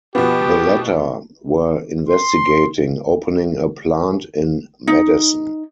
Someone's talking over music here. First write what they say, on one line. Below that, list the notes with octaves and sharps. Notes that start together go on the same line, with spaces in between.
The latter were investigating opening a plant in Madison.
B2 F3 B3 G4
C6
D#4